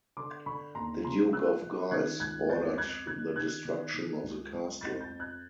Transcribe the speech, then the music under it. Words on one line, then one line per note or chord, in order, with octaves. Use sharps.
The Duke of Guise ordered the destruction of the castle.
D3 C6 D6
D3 B5 C#6
D#2 A#5 C6
C#3 A#5 C6
F3 E6 F#6
F3
D#3 F#6 G#6
C#2 F#6 G#6
F2 G6 A6
F2 F#6 G#6
D#3 F#6 G#6
D#3 F#6 G#6
D#3
D#3
C#2
C#2
F2 G6 A6
G6 A6
F2
F#6 G#6